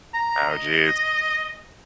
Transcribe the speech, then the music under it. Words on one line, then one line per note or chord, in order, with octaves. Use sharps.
Oh, jeez.
A#5
D#5